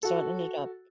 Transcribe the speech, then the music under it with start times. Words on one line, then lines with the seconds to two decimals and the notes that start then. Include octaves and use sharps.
So it ended up
0.03 F#4 A4